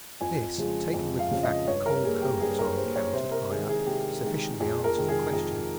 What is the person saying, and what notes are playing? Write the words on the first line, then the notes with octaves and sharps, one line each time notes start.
This, taken with the fact that cold currents are encountered high up, sufficiently answers the question.
F2 G#5
C#3 F3 G#3
F2
F5
C#3 F3 G#3
D#5
G2 C#5
A#4
G3 A#3 G#4
G4
G2 G#4
A#4
G3 A#3 C5
C#5
C3 C5
A#4
D#3 G#3 G#4
G#4
C3 G4
D#3 G#3
F2 G#4
A#4
C3 D#3 G#3
G#4
F2 G#4